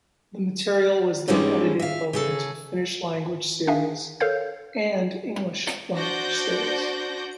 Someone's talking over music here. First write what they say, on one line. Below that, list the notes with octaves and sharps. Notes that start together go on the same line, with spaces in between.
The material was then edited both into Finnish-language series, and English language series.
G#2 D3 E3 G3 G#3 C#4
E5 F5
C#3 G#4 A4
D4 G#4 E5 F5 G#5
A4 A#4 C#5 F5 G6
D4 F#4 C5 D5 G6 A#6